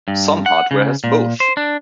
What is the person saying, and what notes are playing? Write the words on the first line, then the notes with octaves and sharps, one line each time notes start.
Some hardware has both.
G2
F#5
C#3
A#2
C5
D4